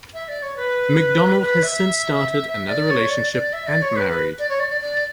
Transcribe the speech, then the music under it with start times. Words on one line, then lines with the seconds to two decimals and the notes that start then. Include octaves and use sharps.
MacDonald has since started another relationship and married.
0.14 E5
0.28 D5
0.42 C#5
0.57 B4
1.41 B4
1.63 E5
2.69 D5
2.90 C#5
3.10 D5
3.33 D5
3.53 E5
3.67 D5
3.82 C#5
3.96 B4
4.10 B4
4.39 D5
4.49 C#5
4.60 D5
4.70 D5
4.81 D5